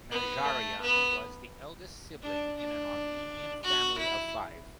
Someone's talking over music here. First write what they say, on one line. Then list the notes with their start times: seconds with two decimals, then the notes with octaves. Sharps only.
Najarian was the eldest sibling in an Armenian family of five.
0.11 B3
0.45 A3
0.81 B3
2.22 D4
2.57 D4
3.62 F#4
3.98 E4